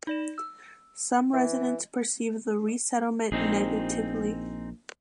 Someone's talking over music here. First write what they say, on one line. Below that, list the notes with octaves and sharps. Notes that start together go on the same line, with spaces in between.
Some residents perceived the resettlement negatively.
D#4 D5 E7
E6
E3
A#1 C4 D#4 G#4